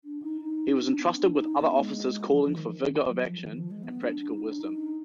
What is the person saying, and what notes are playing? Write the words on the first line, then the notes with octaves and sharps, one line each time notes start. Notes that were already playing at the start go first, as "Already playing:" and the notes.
He was entrusted with other offices calling for vigour of action and practical wisdom.
D4
D#4
D#4
D4
B3
D4
D#4
D4
A#3
B3
G#3
F3
F3
D#3
F#3
F3
D#3
F3
G#3
B3
D4
D4
D#4
D4
D#4